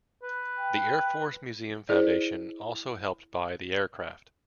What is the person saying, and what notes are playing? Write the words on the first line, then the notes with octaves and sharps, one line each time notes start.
The Air Force Museum Foundation also helped buy the aircraft.
B4
G5
E4 G#4 C5 D5